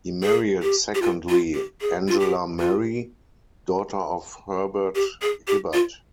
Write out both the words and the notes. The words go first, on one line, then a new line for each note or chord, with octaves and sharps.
He married, secondly, Angela Mary, daughter of Herbert Hibbert.
G#4
G4
G4
F4
F4
G4
G#4
F4
G4
F4
G4
G#4
G4
F4